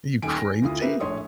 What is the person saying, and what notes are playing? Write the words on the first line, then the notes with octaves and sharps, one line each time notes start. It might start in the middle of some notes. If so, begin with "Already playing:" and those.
Are you crazy?"
D#1 D#2 G#5 D7
A#6
D2 E4 F4 D#6
G4 A#4 B4 E5
A#1 A2 C#5 C6 D#6